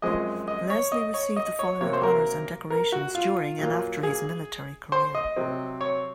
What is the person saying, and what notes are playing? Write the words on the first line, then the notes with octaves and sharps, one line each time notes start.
Leslie received the following honours and decorations during and after his military career.
F#2 F3 G#3 C4 D#5
D#5
C#5
D#5
C#5
D#5
C#5
C3 F#3 A#3 C#5
C5
A#4
A#4
F#4
F4
A#2 F#3 A#3
G#4
C5
D#5
C3 F#3 C4
C#5